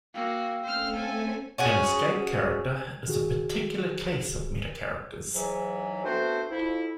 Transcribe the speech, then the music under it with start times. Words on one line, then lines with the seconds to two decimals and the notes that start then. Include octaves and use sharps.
An escape character is a particular case of metacharacters.
0.14 A#3 F#4 F5 G5 E6
0.64 A3 C4 C#4 C5 F6
0.93 A4 G#5
1.58 C#4 F#4 G#4
3.08 D#3 F#4 G#4
5.34 G#2 E3 F#3
6.04 A3 B3 C4 D4 F#4 C5
6.50 F2 E4